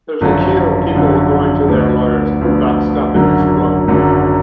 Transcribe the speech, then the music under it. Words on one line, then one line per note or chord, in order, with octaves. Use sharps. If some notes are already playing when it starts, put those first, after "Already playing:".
There's a queue of people going to their lawyers about stuff in his book.
G#1 F#2 D3 F3
G#1 F#2 D3 F3
D2 D3 F3 B3 D4
D2 D3 F3 B3 D4
G#1 F#2 D3 F#3 A#3
G#1 F#2 D3 F#3 A#3